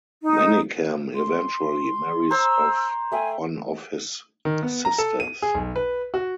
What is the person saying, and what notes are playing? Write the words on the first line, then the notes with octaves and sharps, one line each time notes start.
Manikkam eventually marries off one of his sisters.
D#4
C6
C5 A#5 E6
A3 E5 G5 G#5
D#3
B3
A#5
A4
D#7
G#4
B1
B4
F#4